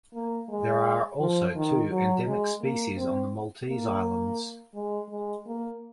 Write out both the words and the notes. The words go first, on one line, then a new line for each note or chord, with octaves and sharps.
There are also two endemic species on the Maltese Islands.
A#3
G#3
F3
D#3
F#3
G#3
A#3
C4
A#3
G#3
G#3
A#3